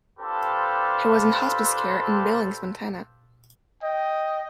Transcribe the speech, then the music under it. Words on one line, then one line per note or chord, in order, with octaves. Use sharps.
He was in hospice care in Billings, Montana.
C4 D4 F4 G4 A4 B4
D#5 G5